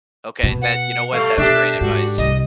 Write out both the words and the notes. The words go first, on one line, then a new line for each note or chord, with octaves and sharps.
Okay, that you know what, that's great advice.
B2
F#5
G3 A3 F5
B2 D4 G4 E5
G#2 F#4
C2 D#5